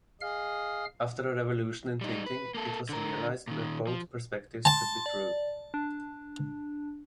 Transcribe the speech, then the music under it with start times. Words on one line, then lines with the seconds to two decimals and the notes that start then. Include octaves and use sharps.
After a revolution in thinking, it was realized that both perspectives could be true.
0.21 G#4 D#5 F5 F6
2.01 G3 D#4
2.26 B4
2.55 A#3 A4
2.89 D3 A#4
3.48 A#2 D#3
3.87 F3
4.65 A5 C6
5.06 D5
5.74 D4